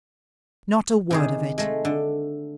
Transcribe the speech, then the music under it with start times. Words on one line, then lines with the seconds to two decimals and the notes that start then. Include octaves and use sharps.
'Not a word of it.
1.11 C3 D#3 G#4
1.58 G#3 A3
1.85 D3